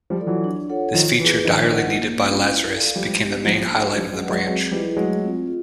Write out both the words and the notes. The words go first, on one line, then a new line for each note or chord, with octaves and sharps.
This feature, direly needed by Lazarus, became the main highlight of the branch.
F3 G3
F4 A4 D5
E3 F#3
D4
F4 A4 C#5 F#5
D#3 F3 F4
E3 G#4 B4
D#3 F3 D4
F4 A#4 D#5 F#5
A#3
C#4 F4
E4
A4 D5 F5
F3 G3 G#3
B3 D4 G4
F3 G3 A#3
D4 F#4 A4 C5
F3 G3 C#4
F#3 G#3
F#4 B4 D5 F#5
F#3 G#3
F#3 G#3 C4
F3 G3 E4 G#4 B4 D#5
F#3 G#3 A3
C4 F4
F4